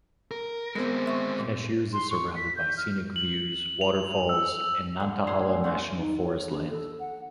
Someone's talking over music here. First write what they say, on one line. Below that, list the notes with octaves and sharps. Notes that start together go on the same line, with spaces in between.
Cashiers is surrounded by scenic views, waterfalls and Nantahala National Forest lands.
A#4
G#3 B3 C4 A#4
E5 C6 C#6
A#2
C6
C#6
B6
G6
F6
F#7
F7
E6
D3
A2 G#4 C6
D3 C#4 F#4
D#4
C#5
D4
A4
F#5